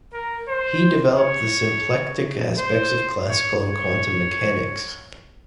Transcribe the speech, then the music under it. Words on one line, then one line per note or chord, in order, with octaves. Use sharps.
He developed the symplectic aspects of classical and quantum mechanics.
A#4
C5
C#5
C5
C#5
C#5